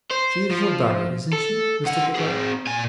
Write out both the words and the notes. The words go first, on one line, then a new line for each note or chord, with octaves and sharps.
'She is your daughter, isn't she, Mr. Peggotty?'
C5
F3
A4
D#3 F#5
C4 G#4
A#2 G#5